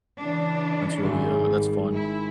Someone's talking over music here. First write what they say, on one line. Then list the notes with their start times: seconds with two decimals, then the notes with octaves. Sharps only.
That's really, uh, that's fun,
0.19 C#3 E3 D4
1.03 G#1 G#2 G3
1.93 E4